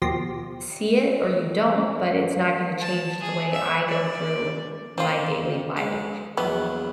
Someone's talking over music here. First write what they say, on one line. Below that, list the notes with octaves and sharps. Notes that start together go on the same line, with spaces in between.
see it or you don't, but it's not gonna change the way I go through my daily life,"
D#2 B2 F3 G4 C6 A#6
A5
G#4
E5
D5
F3 A#3 C4 F4
G#3
A#1 E2 F#3 B3